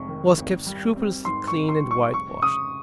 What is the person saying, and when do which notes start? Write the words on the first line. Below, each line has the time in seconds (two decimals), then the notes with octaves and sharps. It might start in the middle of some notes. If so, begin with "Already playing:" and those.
It was kept scrupulously clean and whitewashed.
Already playing: F1 F2 G#3 C#6
0.08 D#3
0.38 G#1
0.67 G3
0.96 C4
1.25 G#2 C6
1.47 C#6
1.55 G#1
1.69 C6
1.83 G3
1.91 C#6
2.13 F1 C#6
2.42 C#3 D#6